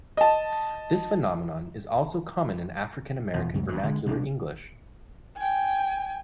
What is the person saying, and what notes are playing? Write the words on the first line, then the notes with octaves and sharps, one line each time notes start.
This phenomenon is also common in African American Vernacular English.
D#5 A5
E2 B2 F3
C#2 F#2
D2 G2
D3 G#3
C2 B2 F3 D4
G5 G#5